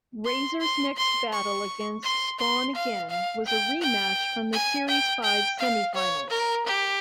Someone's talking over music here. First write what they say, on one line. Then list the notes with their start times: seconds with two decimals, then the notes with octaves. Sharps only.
Razer's next battle against "Spawn Again" was a rematch from the series five semi-finals.
0.26 C6
0.61 C6
0.97 C6
1.33 C#6
2.04 C6
2.39 C6
2.75 F5
3.10 F5
3.46 G5
3.81 G5
4.52 G#5
4.88 G5
5.23 G5
5.59 F5
5.95 C#5
6.30 A#4
6.66 G4